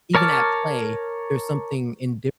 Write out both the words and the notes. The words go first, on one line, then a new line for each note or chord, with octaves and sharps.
even at play, there's something indifference
A#4 C#5 A5 D6 F6